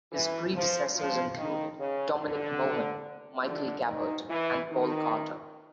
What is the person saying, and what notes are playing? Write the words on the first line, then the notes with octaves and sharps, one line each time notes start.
His predecessors included Dominic Mohan, Michael Gabbert and Paul Carter.
E3
F3
F3
D#3
C#3
D3
D3
D#3
E3
D#3